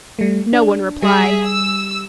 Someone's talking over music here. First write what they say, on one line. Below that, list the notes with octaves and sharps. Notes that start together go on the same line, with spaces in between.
No one replied.
G3 A3
D4
G3 G#4 E5
E6